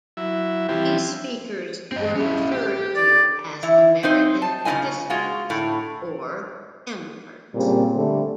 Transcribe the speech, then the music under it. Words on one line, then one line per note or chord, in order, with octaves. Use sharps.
These speakers were referred to as "American Participants" or "AmParts".
F#3 E4 E5
E3 F3 G3 C4 E4 G4
C4 D#5
C#4 E4
G4
D5
E3 E4
C4 D#4 C5
A5
C#3 F3 D4 F4 D#5 G#5
G#3 F4 F#4
A2 D3
A#2 C#3 G3 C4
D3 G3 A3